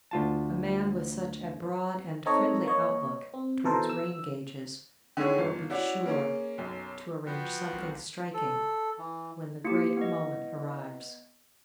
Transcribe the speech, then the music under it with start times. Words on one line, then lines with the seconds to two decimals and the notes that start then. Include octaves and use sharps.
A man with such a broad and friendly outlook towards rain-gauges will be sure to arrange something striking when the great moment arrives.
0.11 D2 F4 A5
2.26 C4 D#4 A4 C#5 D#5 A#5
2.66 A#3 C#5 D#5
3.34 C4
3.64 B2 E3 A4 A#4 C5
3.89 E6
5.17 D3 D#3 G#3 E4 G#4 C#5
5.38 G1 F4 F5
5.70 C#4 E4 F#4 D5
6.06 A#3 C#4 G#4
6.58 B1 F#2
7.27 F3 B3 F#4 G5
7.73 C2
8.34 A4
8.98 E3
9.64 A#3 E4 G4 F5 C#7
9.97 B3 D#5